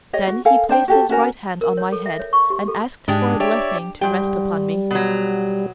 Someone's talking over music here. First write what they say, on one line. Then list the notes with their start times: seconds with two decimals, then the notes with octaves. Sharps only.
Then he placed his right hand on my head and asked for a blessing to rest upon me.
0.13 G4 C#5 D#5
0.28 F#4
0.45 A4 A#4 F5 G#5
0.69 D4 C5 G5
0.88 F#4 G4 A4
1.09 C#4 F#4 A#4 G#5
1.61 A#4
1.77 C#5
1.92 A4
2.06 E5
2.20 C#5
2.33 C#6
2.50 G4
2.68 A4
3.08 G#2 G#3 D4 G4
3.40 G4 C#5 D5 E5
4.01 G#2 G3 G5
4.91 B2 F#3